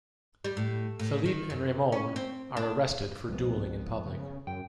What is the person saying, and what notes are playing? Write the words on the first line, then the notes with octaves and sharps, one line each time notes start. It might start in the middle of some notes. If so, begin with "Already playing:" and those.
Felipe and Ramon are arrested for dueling in public.
G3
A2
A2
D#3
F#2
C#4
C4
D4
C2 F2 G#2 B3
C#3
F#2 G5